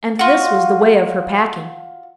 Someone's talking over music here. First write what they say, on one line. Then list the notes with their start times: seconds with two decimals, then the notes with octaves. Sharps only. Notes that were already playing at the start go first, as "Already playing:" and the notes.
And this was the way of her packing.
0.19 F4 F#4